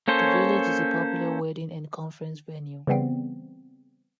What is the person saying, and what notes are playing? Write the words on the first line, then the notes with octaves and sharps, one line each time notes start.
The village is a popular wedding and conference venue.
A#3 C#4 A4 C5 C#5
C#3 E3 G3 B3 C4